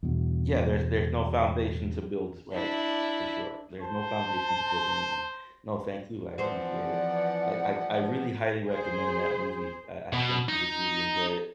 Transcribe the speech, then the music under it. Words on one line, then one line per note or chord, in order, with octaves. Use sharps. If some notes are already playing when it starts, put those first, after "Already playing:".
Yeah, there's there's no foundation to build, right. For sure. There's no foundation to build anything. No, thank you, I appreciate it. I I I really highly recommend that movie. I I think you would really enjoy it,
E2 G2 B2
D4 E4
C5 A5
E3 F3 C4 C5 D5 F#5
G#4 C5
B2
D#4